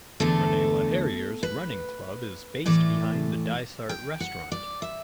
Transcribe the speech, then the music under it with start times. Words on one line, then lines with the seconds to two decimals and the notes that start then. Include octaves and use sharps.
Ranelagh Harriers running club is based behind the "Dysart" restaurant.
0.20 E2 D3 A3 A4
1.43 B4
2.66 A2 E3 A3 D5
3.89 G5
4.20 F#5
4.52 D5
4.82 E5